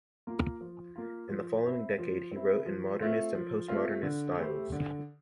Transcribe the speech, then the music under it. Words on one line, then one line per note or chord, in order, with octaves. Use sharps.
In the following decade he wrote in modernist and post-modernist styles.
A#3 F4
F3
A#3 F4
F3
C4 E4
F3
C4 E4
F3
A3 C4 F4
F3
A3 C4 F4
D3
A3 E4 G4 C5
D3